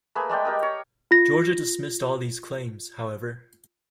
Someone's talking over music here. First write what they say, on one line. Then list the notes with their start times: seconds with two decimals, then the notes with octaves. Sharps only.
Georgia dismissed all these claims, however.
0.15 A3 A#3 G#4 B4
0.29 G#3 A3 D5 G5
0.45 G4 A#4 D#5
0.62 C#5 A#5
1.11 F4 A#6